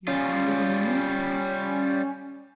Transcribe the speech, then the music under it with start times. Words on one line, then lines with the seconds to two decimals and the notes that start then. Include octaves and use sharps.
Your eyes are new to it.
0.08 G3 C#4 F4